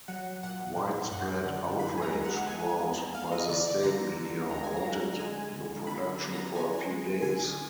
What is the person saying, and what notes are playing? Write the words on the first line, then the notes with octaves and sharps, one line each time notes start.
Widespread outrage brought by the state media halted the production for a few days.
F#3 F#5
A#2 F#5
A#2
F#2 F#5
D3
F#2 B5
G#5
A#5
G#3
F#5
G#3 G#5
B3
B3 F5
D#5
D3 D5
D5
D3 A#5
D3
G#3 A#5
G#5
A#5
D3
G#3 G#5
D3
D3 B5
B3
A#5
B3 G#5
G#3
D3 G#5